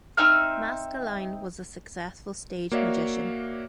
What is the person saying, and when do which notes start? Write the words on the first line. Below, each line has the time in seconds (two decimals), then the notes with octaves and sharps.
Maskelyne was a successful stage magician.
0.17 C4 D#4 E5 F6
2.72 A#3 F#4 C#5 D5 E5 F5